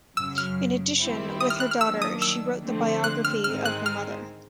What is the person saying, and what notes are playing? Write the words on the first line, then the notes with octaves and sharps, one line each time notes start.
In addition, with her daughter, she wrote the biography of her mother.
F#2 C#3 F#3 E6
F6
D#3 G3 C4 E4
D#6
F6
F#6
F6
D#3 F#3 A#3 D4 E6
D#6
E6
D3 F3 A3 C4
F#6
F6
G#2 D#3 G#3 C4 D#4 F6
F#6
F6